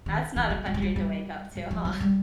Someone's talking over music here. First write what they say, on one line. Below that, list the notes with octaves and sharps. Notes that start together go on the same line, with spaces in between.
That's not a fun dream to wake up to, huh?
D#3
E3
F#3
G3
G#3
G3
G3
F#3
F3
F#3
G3